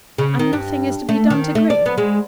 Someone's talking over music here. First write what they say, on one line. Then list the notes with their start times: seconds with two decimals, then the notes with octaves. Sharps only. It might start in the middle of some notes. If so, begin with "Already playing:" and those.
"And nothing is to be done to Green!"
0.18 C#3
0.39 D#3
0.53 G2
1.09 A3
1.30 D#3
1.55 A3
1.70 D5
1.86 B3
1.98 G#3